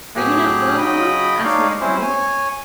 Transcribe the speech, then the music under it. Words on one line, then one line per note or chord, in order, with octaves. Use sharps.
"Are you not well, mamma?" asked Magdalen.
A2 F#3 G4 G#4 F#6
C#3 F#3 D#5 G5 B5 D#6
D4 D#4 C#5 F5
C4 C#4 E4 C5
C#5 G#5